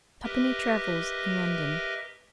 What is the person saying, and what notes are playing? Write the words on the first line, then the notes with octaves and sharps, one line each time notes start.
Tuppenny travels in London.
G4 A#4 B4 D#5 E5